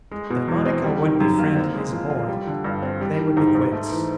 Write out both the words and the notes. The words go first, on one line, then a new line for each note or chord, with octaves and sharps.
If Monica would befriend his boy, they would be quits.
G#3
B2
E2
C4
G3
D#3
F#2
A#3
C4
G#3
F3
F4
G3
D3
G2
C4
G3
D#3
G#2
G#2
A3
E3